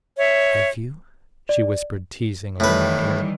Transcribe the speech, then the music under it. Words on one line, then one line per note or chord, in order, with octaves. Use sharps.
"Have you?" she whispered teasingly in my ear.
C#5 E5
D5
A2 D#3 E3 G3 B4